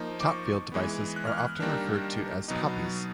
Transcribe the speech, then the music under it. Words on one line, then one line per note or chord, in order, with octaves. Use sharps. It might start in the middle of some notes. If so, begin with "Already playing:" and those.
Topfield devices are often referred to as "Toppys".
Already playing: F3 A#3 D#4
D6
C#6
E3 G#3 B3
F#6
F6
F#6
D#3 G3 A#3 D4
B2 F#3 B3 D#4